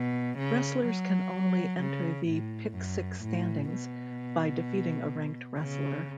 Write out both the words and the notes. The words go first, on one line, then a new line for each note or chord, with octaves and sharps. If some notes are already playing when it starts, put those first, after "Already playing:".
Wrestlers can only enter the Pick Six Standings by defeating a ranked wrestler.
Already playing: B2
C#3
F#3
C#3
A2
F#2
A2
B2
C#3